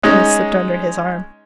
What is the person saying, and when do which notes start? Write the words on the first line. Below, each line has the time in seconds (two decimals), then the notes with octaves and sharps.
Tony slipped under his arm.
0.03 G#3 C#4 D#4